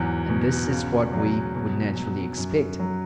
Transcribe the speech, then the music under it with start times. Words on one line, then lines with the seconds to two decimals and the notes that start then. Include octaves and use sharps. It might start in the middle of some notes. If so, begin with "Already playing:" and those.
And this is what we would naturally expect.
Already playing: E2 G#2 F#3
0.29 B2
0.71 C#3
1.13 F#3
1.55 B2
1.96 F#3
2.38 F#2
2.79 F#3